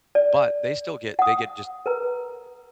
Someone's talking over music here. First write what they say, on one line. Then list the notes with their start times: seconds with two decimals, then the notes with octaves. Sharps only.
but, they still get they get, just
0.15 D5
1.19 F#5 D#6
1.86 A#4 B4 A#5